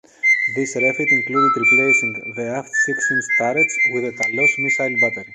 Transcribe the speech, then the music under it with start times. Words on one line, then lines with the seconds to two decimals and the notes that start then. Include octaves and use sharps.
This refit included replacing the aft six-inch turrets with a Talos missile battery.
0.23 C7
0.33 B6
0.41 C7
0.78 D7
1.06 C7
1.34 E6
1.62 D7
2.73 A6
3.01 G#6
3.29 C7
3.56 D7
3.78 C7
4.20 C7
4.40 D7
4.67 C7
4.95 C7